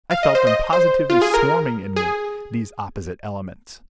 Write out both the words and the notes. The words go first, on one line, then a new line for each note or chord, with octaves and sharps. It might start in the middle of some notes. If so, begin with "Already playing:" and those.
I felt them positively swarming in me, these opposite elements.
F5
D#5
C5
D#5
C5
F4
G#4
A#4
G#4